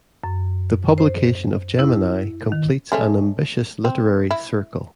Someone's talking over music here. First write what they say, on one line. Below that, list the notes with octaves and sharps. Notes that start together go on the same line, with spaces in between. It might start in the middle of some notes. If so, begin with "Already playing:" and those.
The publication of Gemini completes an ambitious literary circle.
F#2
C5
E4
D#3
G#3 A3 C#4
C4
E4